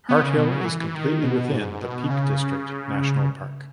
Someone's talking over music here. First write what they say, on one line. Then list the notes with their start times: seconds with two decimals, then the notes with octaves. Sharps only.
Harthill is completely within the Peak District National Park.
0.09 B3
0.23 C#3
0.38 B2
0.52 C#3
0.61 F#3
0.66 E3
0.80 E3
0.95 D#3
1.24 B2
1.53 G#2
1.81 B2
2.10 C#3